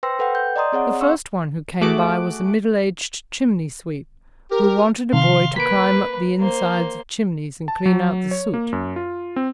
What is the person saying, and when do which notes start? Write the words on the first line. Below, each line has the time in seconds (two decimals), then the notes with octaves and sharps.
The first one who came by was a middle-aged chimney-sweep, who wanted a boy to climb up the insides of chimneys and clean out the soot.
0.03 B4 C5 G5 C6 E6 A#6
0.19 A4 B4 F#5 G5
0.35 G6
0.56 D5 D#5 A#5 C6 D#6
0.72 C4 G#4 C#5 F#5
1.01 F5 C6 C#6 E6
1.81 A3 F#4 G#4 D6 F#6 D7
4.51 G4 A#4
5.13 C3 D#3 F5 C6
5.56 A#3 B4 B6 D7
6.40 A#3 C5
7.68 A5
7.86 F#3
8.31 C#5
8.54 A#3
8.73 F#2
8.96 F4
9.36 C4